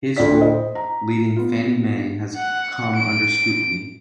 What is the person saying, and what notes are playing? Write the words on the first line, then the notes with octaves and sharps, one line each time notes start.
His role leading Fannie Mae has come under scrutiny.
D2 F4 D5 B6
C5 D#5
A#5
B3 F4
F#5
D7